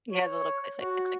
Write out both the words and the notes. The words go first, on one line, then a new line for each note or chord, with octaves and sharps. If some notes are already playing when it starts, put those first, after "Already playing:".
Yeah, the little click, click, click, click.
C#5
F#4